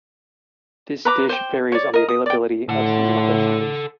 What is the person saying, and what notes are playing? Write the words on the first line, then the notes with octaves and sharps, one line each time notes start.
This dish varies on the availability of seasonal vegetables.
B4 A#5 D6
C5 G5
C#5 D5
A#4 D#5
D#6
D5 G5
A2 A4 F#5